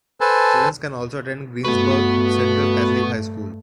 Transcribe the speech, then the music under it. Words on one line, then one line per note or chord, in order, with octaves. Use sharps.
Students can also attend Greensburg Central Catholic High School.
A4 B4 C5 G#5 A5
G2 A3 B3 F#4 B4